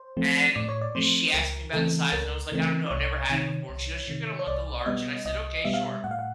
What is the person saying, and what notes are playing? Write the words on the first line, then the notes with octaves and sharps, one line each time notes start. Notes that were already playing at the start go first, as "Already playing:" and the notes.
And she asked me about the size, and I was, like, "I don't know, I never had it before." And she goes, "You're gonna want the large." And I said, "Okay. Sure."
Already playing: C5
F3 A3 C4
A2 D5
C#5
D5
F3 A3 C4 C5
C#2 A#4
C#3 E3 A3 C4 A4
C#2 A#4
C#3 E3 A3 C4
D5
C2 C#5
C3 D#3
C2
C3 D#3
C#5
C2 D5
B2 G3 B3 D#5
C2 D#5
B2 G3 B3 E5
F5
E5
A2 F#5
F5
F#5